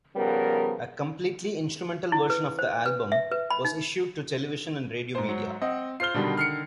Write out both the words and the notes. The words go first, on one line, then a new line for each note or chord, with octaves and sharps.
A completely instrumental version of the album was issued to television and radio media.
C#3 F3 G3 B3 A#4
E4
B4
C5
B4
E5
B4
B5
D#4
G#2 C5
F#3 C#7
C4 D#5 F#5
F4 C5 F6 C7 G7
B2 D3 D#3 G3
F6 C7 C#7